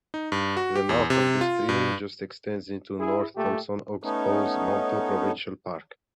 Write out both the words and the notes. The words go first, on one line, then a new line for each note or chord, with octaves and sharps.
The mouth of the stream just extends into North Thompson Oxbows Manteau Provincial Park.
D#4
G2
F#4
G4
E2
C3
F4
G2
E4 G#4
A#2 A3 G4
A3 B3 C#4 D#4